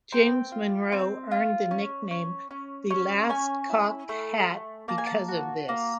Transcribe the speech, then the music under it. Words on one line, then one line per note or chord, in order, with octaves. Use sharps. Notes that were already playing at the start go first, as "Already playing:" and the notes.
James Monroe earned the nickname "The Last Cocked Hat" because of this.
C4 G5
F4
C4
F4
C#4
C#4
C#4
C#4
C#4 G#5
E4
A3
A3
A#3 A5
G#5
A5
F#4
A#3